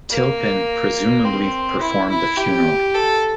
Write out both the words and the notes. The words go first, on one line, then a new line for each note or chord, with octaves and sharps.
Tilpin presumably performed the funeral.
A#3
C4
E4
E4
G4
A4